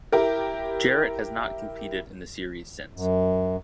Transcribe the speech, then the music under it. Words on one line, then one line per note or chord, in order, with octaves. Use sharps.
Jarrett has not competed in the series since.
E4 G4 A#4
F#2